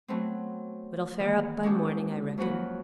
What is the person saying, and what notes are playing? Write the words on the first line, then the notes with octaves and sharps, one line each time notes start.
It'll fair up by morning, I reckon.
F#3 A3 B3 C4
D#3 E3 A#3 B3
G#3 C#4 F#4 G4 A4
F2 F#3 A#3 F#4 B4